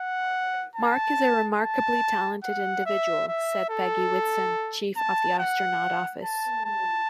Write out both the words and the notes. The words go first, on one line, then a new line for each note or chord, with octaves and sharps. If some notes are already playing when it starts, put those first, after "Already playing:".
"Mark is a remarkably talented individual," said Peggy Whitson, Chief of the Astronaut Office.
Already playing: F#5
A5
A5
F#5
E5
E5
A4
A5
F#5
A5
A5